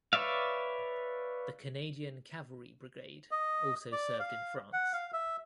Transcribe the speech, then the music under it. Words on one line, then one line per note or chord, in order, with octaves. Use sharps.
The Canadian Cavalry Brigade also served in France.
B4 C#5 D5 E5 F5
D#5
D5
F5
F#5
F5
E5